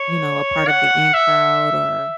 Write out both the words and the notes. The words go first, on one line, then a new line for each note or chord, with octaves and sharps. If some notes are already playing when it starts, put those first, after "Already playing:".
you know, a part of the in crowd, or
Already playing: C#5
F#5
E5